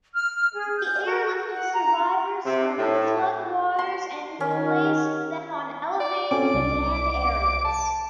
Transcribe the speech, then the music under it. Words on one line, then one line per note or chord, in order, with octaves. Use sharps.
They airlifted survivors from flood waters and placed them on elevated land areas.
F6
G#4
G6
F#4
F#5
A#5
C3
A2
C6
D#3 C#4
D5
C4 C#4 A4 D6
C2 D5
A5